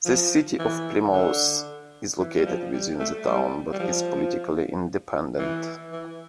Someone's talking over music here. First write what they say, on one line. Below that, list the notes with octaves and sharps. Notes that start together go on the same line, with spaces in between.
The City of Plymouth is located within the town, but is politically independent.
F3
E3
D3
E3
G3
F3
G3
A3
G3
G3
F3
E3
E3